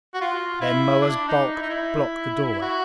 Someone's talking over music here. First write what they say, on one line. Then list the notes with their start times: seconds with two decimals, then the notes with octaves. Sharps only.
Then Moa's bulk blocked the doorway.
0.14 F#4
0.21 F4
0.61 E4
1.01 D4
1.28 D#4
1.55 E4
1.62 D#4
1.69 E4
2.62 F#4